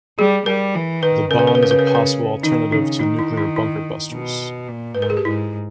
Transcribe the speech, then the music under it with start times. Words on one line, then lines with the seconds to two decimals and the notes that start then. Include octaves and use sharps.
The bomb is a possible alternative to nuclear bunker busters.
0.18 G3 G#4
0.46 G3 A#4
0.75 E3
1.03 D#3 B4
1.31 C#3 A#4
1.39 B4
1.47 A#4
1.55 B4
1.63 A#4
1.71 B4
1.79 A#4
1.87 B4
1.95 A#4
2.43 D#3 D#4
2.71 C#3 D#4
2.99 D#3 D#4
3.19 E4
3.37 E4
3.56 E4
4.12 B2
4.68 A#2
4.95 B4
4.97 G#2 A#4
5.10 G#4
5.17 G4
5.25 G#2 E4